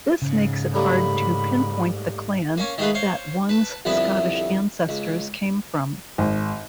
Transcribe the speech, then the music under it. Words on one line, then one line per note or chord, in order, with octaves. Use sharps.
This makes it hard to pinpoint the clan that one's Scottish ancestors came from.
G#2 C#3
A2 G3 A#3 B5
A#3 C#4 G#5
D#3 G#3 A3 F4 G#4 B4
C5 C#5 F5
B4 A5
C2 F2 D3 B3 E4
C#2
G#1